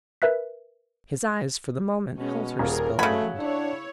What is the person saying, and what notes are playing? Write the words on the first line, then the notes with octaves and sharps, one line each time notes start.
His eyes for the moment held her spellbound.
A#4 B4 E5 F#6 B6
B2 G#3 C#4
D#1 A#3 G#4 A#4
C#3 F#3 A3 F#5 B5 G#6
D4 E4 C#5